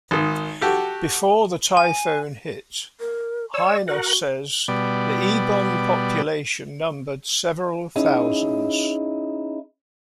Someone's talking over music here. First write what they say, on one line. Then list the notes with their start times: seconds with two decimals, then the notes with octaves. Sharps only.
Before the typhoon hit, Heine says, the Ebon population numbered several thousands.
0.11 G#1 D#3
0.61 F#4 G4 A4
1.77 G#5
3.00 A#4
3.54 C#5 D5 E6
3.88 F#4 A#4 F#5
4.68 B2 G3 B3 D5
7.96 C#4 D#4 E4 G#4